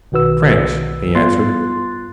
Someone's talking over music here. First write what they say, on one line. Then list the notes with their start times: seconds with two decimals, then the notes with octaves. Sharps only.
"Trench," he answered.
0.12 B1 D#3 F#4 B4 E6
1.15 G2 B3 F4 C6 F#6 A6